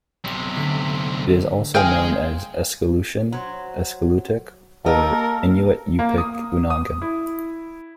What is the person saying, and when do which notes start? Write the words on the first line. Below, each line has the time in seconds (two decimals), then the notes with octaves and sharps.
It is also known as "Eskaleutian", "Eskaleutic", or "Inuit-Yupik-Unangan".
0.25 B1 C3
0.56 D3 A3 B6
1.75 G#3 G#4 F5 G5 G#5
3.32 F#3 C5
4.86 A#3 G4 A4 A#4 D#5
5.99 A#3
6.18 D#6
6.70 D#6
7.02 E4